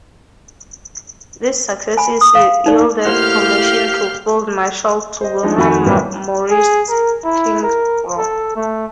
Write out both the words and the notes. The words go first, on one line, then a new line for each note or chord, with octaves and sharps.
These successes yielded promotion to Field Marshal to Wilhelm Mauritz Klingspor.
G#5 B5
D#6
F5
D#4 D5
A2 A#3 G4 C5 F5 F#5 F6 G6
C5 D#5
F3 G#3 D4 D#4
F2 D#3 F#4 F#5 G#5 B5
A2 C3 E3 F#3 G3 A#3
G#4
A#4
E4
A#4
A4
A3